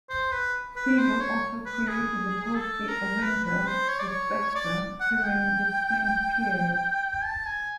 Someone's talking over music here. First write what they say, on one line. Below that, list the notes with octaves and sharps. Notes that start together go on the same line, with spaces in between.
Siegel also created the ghostly avenger The Spectre during this same period.
C5
B4
B4
C5
C#5
B4
G#4
A4
A#4
B4
B4
C5
C#5
D5
C#5
D5
F#5
F#5
G5
A5
G#5